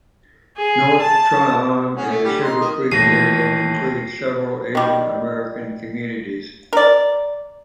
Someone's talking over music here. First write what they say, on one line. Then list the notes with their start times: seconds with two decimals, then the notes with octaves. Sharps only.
North Tryon and the Sugar Creek area include several Asian-American communities.
0.57 G#4
1.01 A5
1.97 C#4 F#4 G#4
2.09 A3
2.24 D3 G3
2.43 D#4 C6
2.61 D#3 A#3 D#6
2.91 D#2 A#2 E3 A3 A#6 C7 D#7
4.75 D#3 G3
6.73 A#4 D5